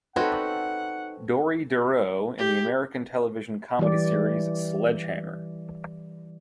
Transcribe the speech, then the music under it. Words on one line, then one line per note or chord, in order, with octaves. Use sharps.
Dori Doreau in the American television comedy series Sledge Hammer!
C4 C#4 D#4 F#4 A4 B4 F#5
G4
E3 G3 G4 D5